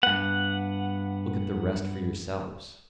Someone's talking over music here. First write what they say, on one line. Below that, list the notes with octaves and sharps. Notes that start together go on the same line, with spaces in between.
Look at the rest for yourselves.
G2 B3 F#5